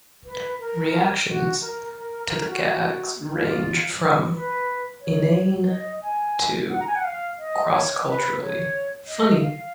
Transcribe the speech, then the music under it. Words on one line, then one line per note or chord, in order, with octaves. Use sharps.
Reactions to the gags range from "inane" to cross-culturally funny.
B4
A#4
F#4
A#4
A#4
A#4
F#4
F#4
F4
B4
C#5
D#5
G#5
F#5
A#5
G#5
F#5
F5
D#5
C#5
B4
C#5
D#5
F5